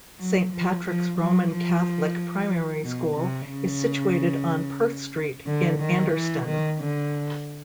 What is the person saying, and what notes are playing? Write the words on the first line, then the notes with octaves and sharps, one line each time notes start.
Saint Patrick's Roman Catholic Primary School is situated on Perth Street in Anderston.
F#3
F3
F3
F#3
F3
B2
C3
C#3
D3
D#3
E3
D#3
D3